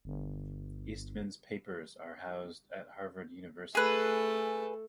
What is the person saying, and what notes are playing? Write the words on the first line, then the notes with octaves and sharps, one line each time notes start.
Eastman's papers are housed at Harvard University.
G1
A3 G#4 A4 B4